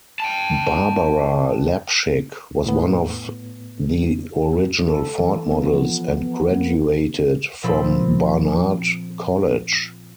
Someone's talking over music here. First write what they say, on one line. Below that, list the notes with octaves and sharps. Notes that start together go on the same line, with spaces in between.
Barbara Lapchick was one of the original Ford models and graduated from Barnard College.
G5 A5
A2 B3
A4
E3
B3
F3
B3
A#3
A#2 F3 C4 A4 B5 C6